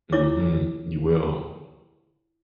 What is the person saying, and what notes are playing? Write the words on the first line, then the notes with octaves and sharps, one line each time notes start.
Mhm. You will.
D4 E4 F4 C#5 D6